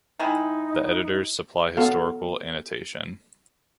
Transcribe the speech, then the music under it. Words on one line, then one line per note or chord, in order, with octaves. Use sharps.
The editors supply historical annotation.
D#3 G#3 D#4 E4
B3 F#4 A4 F5